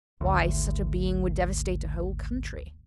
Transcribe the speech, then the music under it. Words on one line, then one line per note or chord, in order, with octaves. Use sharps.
Why, such a being would devastate a whole country.
G#1 D2